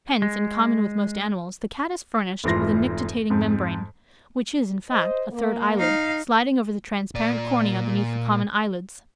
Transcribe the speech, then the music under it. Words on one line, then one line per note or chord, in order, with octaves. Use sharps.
Hence, in common with most animals, the Cat is furnished with a nictitating membrane, which is, in fact, a third eyelid, sliding over the transparent cornea beneath the common eyelids.
G#3
F1 G#2 E3 F3 C6 A#6
F2 G#2
C5 D#5
A#3
D#4 F5
A#2 D5